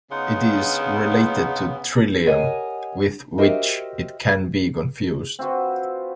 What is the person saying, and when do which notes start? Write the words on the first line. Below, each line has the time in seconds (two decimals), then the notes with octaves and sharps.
It is related to "Trillium", with which it can be confused.
0.11 C#3 B3 D#4 F4 F#5
2.27 G4 A#4 C#5 D#5 F#5 G#5
3.38 F#4 G4 A#4 C5 D#5 E5
5.39 C4 F4 F#4 B4